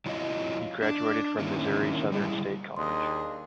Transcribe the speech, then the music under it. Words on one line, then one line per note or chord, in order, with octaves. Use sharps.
He graduated from Missouri Southern State College.
F#3 E4 F4 C#5 D#5
D4
D3 D#3 A#3 C#4 E4
G3 G#3 E4
D#2 D4 G#4 D#5 C6